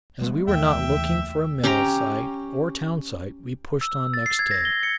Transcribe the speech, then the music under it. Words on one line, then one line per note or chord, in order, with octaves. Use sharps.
As we were not looking for a mill site or town site, we pushed on next day.
G3 G#3 B3
D#2 E3 A3 E5 G5
C#4 G4 G5 A#5
E6
A6
C7
G#6
A#6
G7
C#7